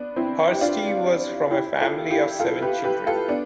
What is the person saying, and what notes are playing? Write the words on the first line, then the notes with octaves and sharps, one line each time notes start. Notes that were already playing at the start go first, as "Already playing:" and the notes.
Hursti was from a family of seven children.
Already playing: B3 D4
C4 E4
G4
D4 F4
E4 G4
F4 A4
E4 G4
F4 A4
G4 B4
G4 B4
F4 A4
B3 D4